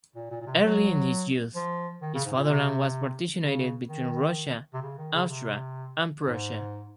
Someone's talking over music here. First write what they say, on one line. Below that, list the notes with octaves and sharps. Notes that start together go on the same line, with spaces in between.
Early in his youth his fatherland was partitioned between Russia, Austria and Prussia.
A#2
A#2
A#2
C3
F#3
F3
D#3
C#3
G#2
A#2
C3
C#3
D#3
C3
C#3
D#3
C#3
C3
G#2